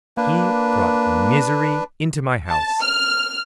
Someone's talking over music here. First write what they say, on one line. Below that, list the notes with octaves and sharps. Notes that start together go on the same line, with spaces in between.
He brought misery into my house.
A#3 D4 B4
A5
F6